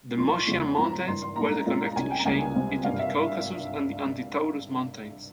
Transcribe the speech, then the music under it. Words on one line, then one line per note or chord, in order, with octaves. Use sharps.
The Moschian Mountains were the connecting chain between the Caucasus and Anti-Taurus Mountains.
C2 A#2 F3 C6
C#6
C6
E2 C#3 F3 G#3
G#2 F3 C4 F4 A#5
A#5
G#1 G2 E3 C6
C6
A#1 G#2 G3 A#3 E4 A#5
A#2 G#3 C#4 F4
A#5
C2 C3 G3 C#4 G#5
G5
A#5
C#2 C#3 G3 A#3 C#4 G#5
C#2 C3 G3 C4
G#1 G2 G3 F5
E5